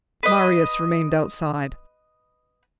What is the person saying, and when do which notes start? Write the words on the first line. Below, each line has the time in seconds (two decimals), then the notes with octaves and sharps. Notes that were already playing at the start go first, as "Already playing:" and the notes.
Marius remained outside.
0.23 B4 D#5